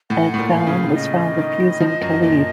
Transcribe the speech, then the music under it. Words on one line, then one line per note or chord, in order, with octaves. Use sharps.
Ed Fallon was found refusing to leave.
A2 F#5
A2
A#2
A5
F5
C#3
D#5
D#3
F3
F#2
A#2